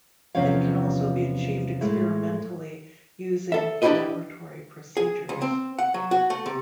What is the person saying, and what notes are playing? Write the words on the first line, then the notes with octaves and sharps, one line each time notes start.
It can also be achieved experimentally using laboratory procedures.
E2 C3 F3 C#4 C#5 F5
A2 G#3 A3 E4
A4 E5
D4 E4 F#4 G4 B4 D#5
G#4
C#2
C4
F#5
F#3
F#4
A3
C3